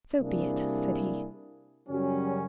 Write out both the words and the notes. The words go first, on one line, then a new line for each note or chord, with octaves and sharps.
"So be it," said he.
C3 G3 A#3 D4 E4 G#4
F#2 C#3 F#3 G3 C#4